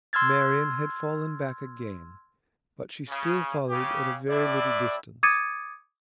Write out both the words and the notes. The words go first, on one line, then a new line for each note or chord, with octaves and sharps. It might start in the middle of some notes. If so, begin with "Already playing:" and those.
Marian had fallen back again, but she still followed at a very little distance.
C6 E6 F6 G#6 A6
C#3
C#3 G4
A2 E4 D5
D6 D#6 G#6 A6 C#7 D#7